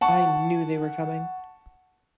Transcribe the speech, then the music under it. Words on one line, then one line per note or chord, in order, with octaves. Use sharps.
I knew they were coming.
F#5 A5 C#6